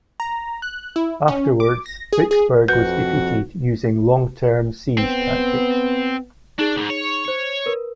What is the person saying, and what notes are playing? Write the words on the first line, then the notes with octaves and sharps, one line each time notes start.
Afterwards Vicksburg was defeated using long term siege tactics.
A#5
F#6
E4
C#4
D6
A#6
G#4
G#4
F2 F#4 B4 G6
B3 C4
D4 D#4 G#4 A6
C#2 G#2
C#5
C5 C#7
A#4 B4